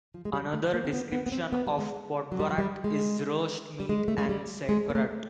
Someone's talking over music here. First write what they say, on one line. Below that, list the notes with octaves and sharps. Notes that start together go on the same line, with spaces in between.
Another description of podvarak is roast meat en sauerkraut.
F3
G#3
G3
A3
A#3
C4
B3
B3
B3
C4
B3
G3
G#3
F#3
G3
F#3
G3
G#3
G3
G#3
A3
G#3
G3
G#3
A#3
A3